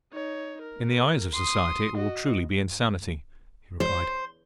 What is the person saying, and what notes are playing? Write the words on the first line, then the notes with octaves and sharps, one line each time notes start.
"In the eyes of society it will truly be insanity," he replied.
D#4 C#5
A#4
C6 D#6
F#4 D#5
C5